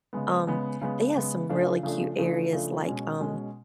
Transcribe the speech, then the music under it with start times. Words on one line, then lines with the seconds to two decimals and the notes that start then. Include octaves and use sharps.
um, they have some really cute areas, like, um,
0.13 C#3 G#3 B3
0.47 C#3 G#3 B3
0.81 C#3 G#3 B3
1.15 C#3 G#3 B3
1.49 C#3 F3 A3 D4
1.83 C#3 F3 A3 D4
2.18 C#3 F3 A3 D4
2.52 C#3 F3 A3 D4
2.86 B2 G#3 C#4
3.20 B2 G#3 C#4